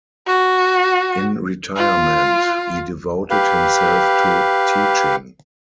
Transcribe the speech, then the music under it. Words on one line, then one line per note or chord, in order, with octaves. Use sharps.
In retirement, he devoted himself to teaching.
F#4
F4
G4 B4 F5